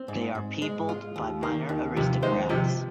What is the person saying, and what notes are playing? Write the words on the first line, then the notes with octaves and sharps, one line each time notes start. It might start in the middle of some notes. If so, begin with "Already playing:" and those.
They are peopled by minor aristocrats.
Already playing: C4
G#2
G#2
G#3
F4
D#2
D#3 A#3
D#2 D#3
D#2 C3 F3
D#3 G#3 C5
C3 F3 D#5